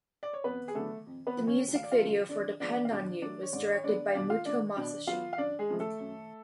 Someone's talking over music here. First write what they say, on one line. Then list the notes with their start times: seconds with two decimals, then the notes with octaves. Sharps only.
The music video for "Depend on you" was directed by Muto Masashi.
0.23 D5
0.33 C#5
0.44 F2 B3 B4
0.68 G#4
0.75 D3 F#3 A3 B3 A4
1.06 F2
1.27 B3 B4
1.37 F3 A3
1.47 C#4 C#5
1.68 D2
1.75 F5
1.84 D5
1.91 F4 F5
1.99 C#3 F#3 A3
2.29 F2 D4 D5
2.60 F3 G#3 B3 D4 D5
2.85 F5
2.91 B2 D4 D5
3.22 F#3 A3 D4 D5
3.43 C#5
3.53 G#2 D4 D5
3.73 C#5
3.84 G#3 B3 D4 D5
4.08 F5
4.15 B2 D4 D5
4.30 F4 F5
4.45 A3 D4 D5
4.77 B2 D4 D5
5.07 F#3 B3 F4 F5
5.33 F5
5.38 F#2 D4 D5
5.59 G#3 G#4
5.69 C#3 F3 A3
5.80 A3 A4
6.00 F#2